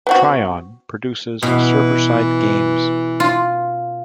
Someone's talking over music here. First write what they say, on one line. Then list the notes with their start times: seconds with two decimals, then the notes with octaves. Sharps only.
Trion produces server-side games.
0.07 B3 C4 F#4
1.43 B2 E3
3.20 F4